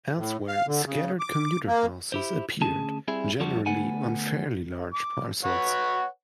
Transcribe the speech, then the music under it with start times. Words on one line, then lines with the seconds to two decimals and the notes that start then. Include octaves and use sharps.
Elsewhere, scattered commuter houses appeared, generally on fairly large parcels.
0.17 A2
0.48 F5
0.67 D3
0.86 C#3
1.19 D6
1.67 A#3
2.12 E4 G4 C5
2.61 D2 C#4 G#4 A5
3.08 G3 C4 E4 G#4
3.40 F2 F3 G3 D4 F#4
3.66 D2 F#3 A3 B3 F#5 G#5
4.94 D6
5.44 B4 C#5 F#5